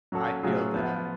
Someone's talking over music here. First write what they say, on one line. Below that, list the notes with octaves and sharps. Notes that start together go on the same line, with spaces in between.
I feel that
F#3 C#4 F#4 A4
A2 F#3 C#4 F4 G#4
F3 B3 F4